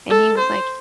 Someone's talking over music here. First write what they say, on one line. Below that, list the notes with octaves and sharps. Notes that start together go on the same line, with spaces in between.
and he was like
A4
C5